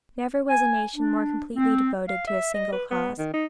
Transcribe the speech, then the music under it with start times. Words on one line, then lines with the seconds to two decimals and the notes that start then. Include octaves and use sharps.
Never was a nation more completely devoted to a single cause.
0.48 G#5
0.96 D4
1.56 C4
2.08 F5
2.27 E5
2.54 D#5
2.72 B4
2.91 B3
3.18 D#3
3.33 D#4